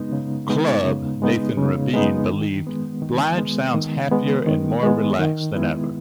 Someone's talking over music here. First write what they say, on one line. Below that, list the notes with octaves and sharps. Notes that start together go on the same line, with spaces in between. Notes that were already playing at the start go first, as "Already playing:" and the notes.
Club", Nathan Rabin believed "Blige sounds happier and more relaxed than ever.
Already playing: C#3 G#3 B3 D#4
C#3
G#3 B3 D#4
C#3
G#3 B3 D#4
C#3
G#3 B3 D#4
D#3
G#3 B3
D#3
G#3 B3
D#3
G#3 B3
D#3
G#3 B3
D#3
G#3 B3 E4